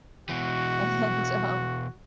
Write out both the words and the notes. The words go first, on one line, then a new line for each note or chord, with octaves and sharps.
and, um
B2 E3 F#4